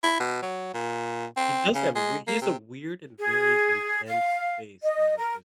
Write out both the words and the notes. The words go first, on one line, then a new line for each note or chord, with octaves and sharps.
He does have we he has a weird and very intense face that is just
E4
B2
F#3
A#2
C4
C#3
G#3
A#3
C3
G#4
F5
D#5
A#4